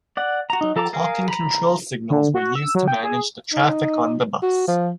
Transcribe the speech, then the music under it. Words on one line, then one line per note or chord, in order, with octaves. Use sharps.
Clock and control signals were used to manage the traffic on the bus.
D5 F#5
F#4 A#5
F#3 D#4
F3 A4 A5 A#5 D6
G#4 A#4 F5
A#5 B5
D3
F#4
E6
F#3
G5
G#4
D#4
F#4
F3